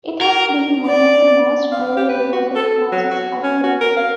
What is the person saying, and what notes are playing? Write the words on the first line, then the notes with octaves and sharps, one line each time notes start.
It has been one of the most highly regarded courses at Berkeley.
A#4
D5
F5
G4
B4
F#4
A4
F#3
F#4
C#4
F#4
A#4
F5